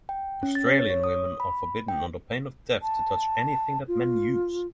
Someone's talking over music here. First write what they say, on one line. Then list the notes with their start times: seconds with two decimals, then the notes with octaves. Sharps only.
Australian women are forbidden under pain of death to touch anything that men use.
0.09 G5
0.43 C#4
0.55 A6
0.67 C#5
0.90 C#5
1.04 D#6
1.40 B5
1.88 G5
2.82 A5
3.88 F4